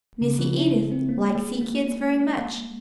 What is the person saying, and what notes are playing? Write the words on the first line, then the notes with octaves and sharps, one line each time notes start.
Missy Edith like see kids very much.
C#3
F3
E4
C4
A#3
G#3
A#3